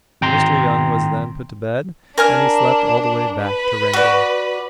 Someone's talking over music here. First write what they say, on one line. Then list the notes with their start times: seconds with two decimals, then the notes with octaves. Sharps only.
Mr. Young was then put to bed, and he slept all the way back to Wrangell.
0.21 G#1 G5 A#5 C6
2.18 D4 A#4 G#5 F6
3.41 B4
3.94 F#4 D5